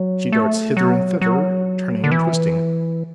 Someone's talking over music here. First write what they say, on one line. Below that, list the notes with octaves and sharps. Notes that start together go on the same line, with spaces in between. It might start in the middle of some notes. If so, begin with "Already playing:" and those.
She darts hither and thither, turning and twisting.
Already playing: F#3
A3
F#3
F#3
D3
E3